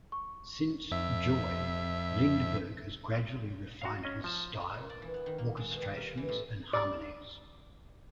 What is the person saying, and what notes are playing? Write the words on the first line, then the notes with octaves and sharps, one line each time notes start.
Since "Joy", Lindberg has gradually refined his style, orchestrations and harmonies.
C#6
F2 E5
F#4 F5
C#4 D#5
F3 A5
A#2
D5
E3
B3
D#3
A#3
G#3
B2
G3
A#4
E3
A2
D5